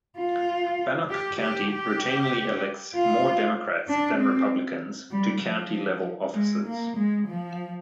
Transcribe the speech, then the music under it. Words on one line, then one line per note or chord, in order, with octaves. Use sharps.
Bannock County routinely elects more Democrats than Republicans to county-level offices.
F4
G4
G4
G4
F4
D4
C4
G3
F3
G#3
A#3
G#3
F3